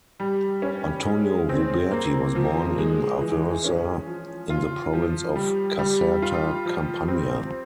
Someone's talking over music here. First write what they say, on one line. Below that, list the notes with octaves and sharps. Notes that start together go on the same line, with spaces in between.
Antonio Ruberti was born in Aversa in the province of Caserta, Campania.
G3
C#4
G#3
C4
A#3
F3
G#3
E3
C#4
F3
F4
F3
G3
G3
F4
F3
C4